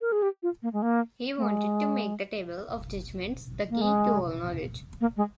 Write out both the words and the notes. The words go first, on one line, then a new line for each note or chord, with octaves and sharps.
He wanted to make the table of judgments the key to all knowledge.
A#4
G#4
G4
F4
A#3
G#3
A#3
A#3
G#3
A#3
G#3
A#3
G#3